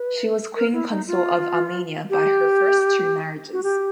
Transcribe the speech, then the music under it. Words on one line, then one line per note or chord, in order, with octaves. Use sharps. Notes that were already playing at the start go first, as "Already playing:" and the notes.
She was Queen consort of Armenia by her first two marriages.
Already playing: B4
A#4
E4
D#4
F4
G4
F#4
G4